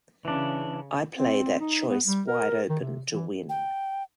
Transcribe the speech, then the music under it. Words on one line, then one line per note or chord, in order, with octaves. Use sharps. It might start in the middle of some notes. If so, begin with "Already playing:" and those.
I play that choice wide open to win.
C#3 E3 D4
C4
D#4
B3
G3
A#4
D#3
C3
E3
G5